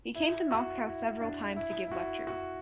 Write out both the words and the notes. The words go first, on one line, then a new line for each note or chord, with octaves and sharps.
He came to Moscow several times to give lectures.
E4
F#4
E4
D4
E4
E4
F#4
F#4